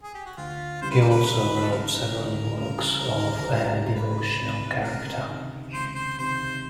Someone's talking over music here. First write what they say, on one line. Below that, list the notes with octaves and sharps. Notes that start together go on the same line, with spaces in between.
He also wrote several works of a devotional character.
G#4
G4
F#4
D2 F4
C#3 E3 G3 C5
B4
A#4
B4
D2 B4
A4
C#3 E3 G3 A#4
D2
C#3 E3 G3
D2
C#3 E3 G3
A#4
C#2 B4
C3 D#3
C#2 A#4
C3 D#3
C#2 C5
C5
C3 D#3 C5